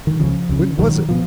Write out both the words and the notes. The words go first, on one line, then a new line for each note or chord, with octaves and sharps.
When was it!
D#3
C#2 C#3 F3
C#2 C#3
C#2 B2 D#3 F#3
B2 F3